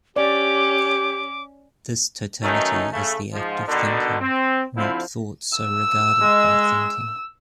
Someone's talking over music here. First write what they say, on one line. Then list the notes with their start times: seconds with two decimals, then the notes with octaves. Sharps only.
This totality is the act of thinking, not thoughts so regarded by thinking.
0.16 C#4 G4 D5 D6
2.43 B2 D#3 F#3 A3 C#4 D#4
2.92 C#3 A3
3.33 G#2 F3
3.67 B2 D3 D#3
4.20 C4
4.76 D3 F3 C4 E4
5.58 E6
6.20 G#3